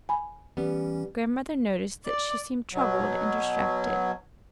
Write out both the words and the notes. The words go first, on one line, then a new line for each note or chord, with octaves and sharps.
Grandmother noticed that she seemed troubled and distracted.
G#5 B5
E3 G3 B3 C#4
D5
B2 F#3